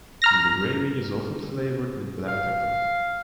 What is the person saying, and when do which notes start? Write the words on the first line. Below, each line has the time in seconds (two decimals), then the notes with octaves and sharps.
The gravy is often flavored with black pepper.
0.22 A#5 F6 A#6
2.28 F5